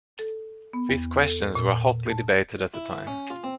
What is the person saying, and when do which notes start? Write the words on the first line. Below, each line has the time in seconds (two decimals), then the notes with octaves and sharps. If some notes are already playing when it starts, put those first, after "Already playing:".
These questions were hotly debated at the time.
0.19 A4
0.73 B3
0.89 E2
1.21 A4
1.55 A#2
2.10 A5
2.74 E4
3.07 C#4
3.30 F4
3.44 C4